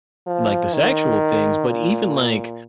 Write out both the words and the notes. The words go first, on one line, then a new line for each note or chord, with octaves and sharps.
like, the sexual things, but even like
F3
D#3
A#2